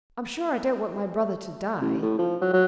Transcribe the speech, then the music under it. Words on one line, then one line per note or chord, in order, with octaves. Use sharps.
"I'm sure I don't want my brother to die."
A1
A2
F3
F#3
F#3